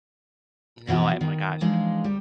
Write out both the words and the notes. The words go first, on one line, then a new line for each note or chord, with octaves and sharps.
No, I my gosh,
F2 B2 E3 F#4 G4
D#3
E3 F3 G#3 D4 D#4 F5
D2 G3 G4